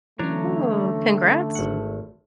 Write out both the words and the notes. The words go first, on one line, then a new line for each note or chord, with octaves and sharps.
Ooh, congrats.
D3 E3 F#3 A3 C#4 D4 C#5 A#5
G#1 F#5